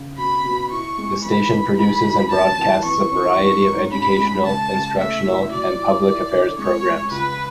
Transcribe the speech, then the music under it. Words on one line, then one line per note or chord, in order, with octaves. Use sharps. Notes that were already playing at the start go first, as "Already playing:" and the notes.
The station produces and broadcasts a variety of educational, instructional and public affairs programs.
Already playing: C#3
B2 B5
B2
E4 C#6
G#3
E3 B5
E3
G#3 B5
D2
F#2 A5
E3
E3 C#6
C#4
G#2
G#2
C#4 B5
G#3
C#3 A5
C#3
A3 E5
E4
F#3 D5
E4
E4 D5
D3
G#3 C#5
G#3
C#2 B4